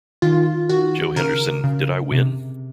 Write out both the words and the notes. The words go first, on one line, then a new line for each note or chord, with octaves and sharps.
Joe Henderson, Did I win?
D#3 F4
D#3 F#4
C#3 A#4
C#3
C3